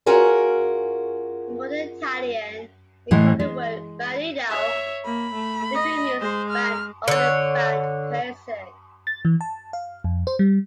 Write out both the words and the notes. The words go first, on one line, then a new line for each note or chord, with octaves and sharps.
In modern Italian the equivalent word "bandito" literally means banned or a banned person.
C#4 F4 F#4 G#4 A#4
A2 E3 G#3
G#3
C#5 E5
A#3 B5
A3
D#5
G#3 C5
F6
D3 C#5
A6
E3
A5
F5
F2
C5
G3